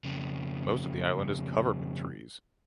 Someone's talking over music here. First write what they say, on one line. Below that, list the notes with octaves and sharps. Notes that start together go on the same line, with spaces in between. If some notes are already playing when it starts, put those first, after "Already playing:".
Most of the island is covered with trees.
F2 C#3